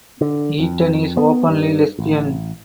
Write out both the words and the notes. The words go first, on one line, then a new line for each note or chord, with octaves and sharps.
Eaton is openly lesbian.
D3
F2
B3
G2
A1